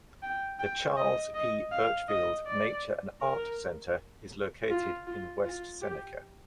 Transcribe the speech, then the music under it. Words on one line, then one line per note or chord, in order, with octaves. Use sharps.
The Charles E. Burchfield Nature and Art Center is located in West Seneca.
G5
G5
D#5
D#5
F5
D#5
D5
A#4
F4
F4
F4
G4